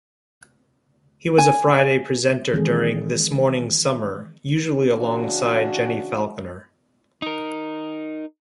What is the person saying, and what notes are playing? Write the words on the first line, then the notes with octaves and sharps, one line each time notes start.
He was a Friday presenter during "This Morning Summer", usually alongside Jenni Falconer.
G#5
D#3 E3 G#3 C4 G#4 A4
C#3 E3 D4 F#4
D#4 A#4